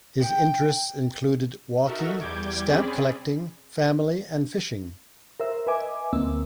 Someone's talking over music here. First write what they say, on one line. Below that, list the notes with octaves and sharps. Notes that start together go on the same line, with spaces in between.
His interests included walking, stamp-collecting, family and fishing.
G5
D#4 F#4 A4 A#4 E5
E2 G3 D6 G6 G#6 D7
C4 C#4 G#4 D5 B5
A#4 C5 E5 E6
B4 D#5 E5 G#5 D6
D2 A#3 C4 E6